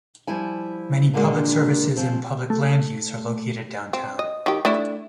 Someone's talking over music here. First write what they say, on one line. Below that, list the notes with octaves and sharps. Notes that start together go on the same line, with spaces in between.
Many public services and public land use are located downtown.
F3 G3 E4 G#5
A#2 D3 G#3 A#3 D4 F#4
C#3 F3 C4
A3
C4
D#5
D#3 G4
A3 D4 E4